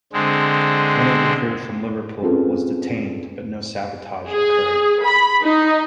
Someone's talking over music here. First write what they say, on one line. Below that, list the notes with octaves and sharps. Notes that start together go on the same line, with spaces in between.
One of the crew from Liverpool was detained but no sabotage occurred.
D3 G#3 C4
C4 C#4 F4 G#4 A4 B4
G#4
B5
D#4